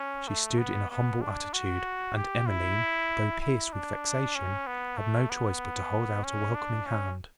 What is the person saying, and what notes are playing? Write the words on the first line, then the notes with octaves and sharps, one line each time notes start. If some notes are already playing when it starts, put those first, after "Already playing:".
She stood in a humble attitude, and Emmeline, though pierced with vexation, had no choice but to hold out a welcoming hand.
Already playing: C#4
A3
B3
B3
D4
F#4
G4
E4
E4
D4
C#4
B3
A3
B3
C#4
D4
C#4